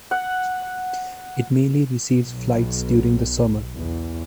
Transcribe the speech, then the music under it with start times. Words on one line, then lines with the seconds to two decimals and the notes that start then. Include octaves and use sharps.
It mainly receives flights during the summer.
0.11 F#5
2.24 B1
3.75 E2